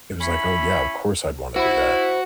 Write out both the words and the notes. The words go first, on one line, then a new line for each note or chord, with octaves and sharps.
it was like, "Oh yeah, of course I'd wanna do that."
C#4 E4 B5
E4 F#4 C5